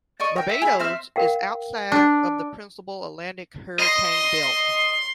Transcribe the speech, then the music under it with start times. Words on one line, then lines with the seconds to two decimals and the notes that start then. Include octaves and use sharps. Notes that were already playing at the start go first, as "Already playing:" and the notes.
Barbados is outside of the principal Atlantic hurricane belt.
0.20 D5 D#5 C#6
0.36 A#4 G5
0.49 E5
0.62 E4 G#4
0.80 C4 E5 F6
1.16 A#4 F5 G5
1.92 D4
3.79 D#5 C6